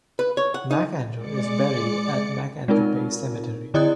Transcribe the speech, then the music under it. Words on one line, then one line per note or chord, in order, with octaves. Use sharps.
Macandrew is buried at Macandrew Bay Cemetery.
B4
C#5
F#5
D#4
G#3 D5 D6 C#7
G#3 C4 D#4 F4 A#4
D3 E4 D5 D#5 D#6 F#6